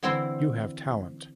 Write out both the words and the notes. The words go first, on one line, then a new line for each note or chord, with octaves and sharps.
You have talent.
D3 E3 C4 E4 C5